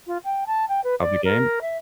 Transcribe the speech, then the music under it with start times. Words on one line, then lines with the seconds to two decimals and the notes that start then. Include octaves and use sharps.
of the game?
0.07 F4
0.24 G5
0.46 A5
0.68 G5
0.84 B4
1.01 D5
1.25 A#4
1.61 E5